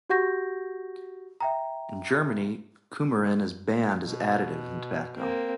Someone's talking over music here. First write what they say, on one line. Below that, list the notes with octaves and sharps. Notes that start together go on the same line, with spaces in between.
In Germany, coumarin is banned as additive in tobacco.
F#4 G4 F#5 C#6 G6 A#6
E5 G5 A#5
B2
A#3 C4